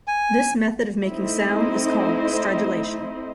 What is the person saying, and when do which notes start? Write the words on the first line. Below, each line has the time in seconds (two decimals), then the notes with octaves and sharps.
This method of making sound is called stridulation.
0.07 G#5
1.09 A3 C4 D#4 E4 C5 D#5